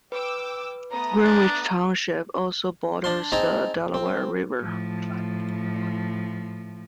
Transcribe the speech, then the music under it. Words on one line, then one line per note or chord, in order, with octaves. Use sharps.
Greenwich Township also borders the Delaware River.
B4 G5 D6 E6
A3 B3 A#5 D#6
D4
D4 A5 C6
C4 D#4 G#4 A5 A#5
C4
A2 F3